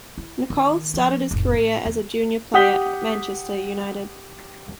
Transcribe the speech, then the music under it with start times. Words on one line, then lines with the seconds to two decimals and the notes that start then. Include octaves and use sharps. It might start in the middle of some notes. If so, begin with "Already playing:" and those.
Nicholl started his career as a junior player at Manchester United.
0.18 E4
0.50 D#3
0.94 F3
1.31 F1 A2
1.53 A1
1.85 E2
2.54 G4 F#5 D#6 G6 B6 G7